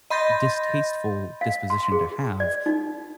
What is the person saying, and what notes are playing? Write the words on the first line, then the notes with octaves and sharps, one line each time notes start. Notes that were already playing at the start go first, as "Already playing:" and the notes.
distasteful disposition to have.
D#5 B5 C6 G6 A6 A#6
F5
C6
G#4
D5
D#4